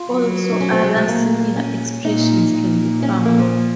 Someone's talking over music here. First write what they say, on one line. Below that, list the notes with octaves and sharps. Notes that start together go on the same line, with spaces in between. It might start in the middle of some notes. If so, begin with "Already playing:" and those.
Also other similar expressions can be found.
Already playing: F4
F#3
D#4
C#4
C4
G#3
G#3
A#2 A#3
C#4
A#2 D#4
A#2
C#4
A#3
F3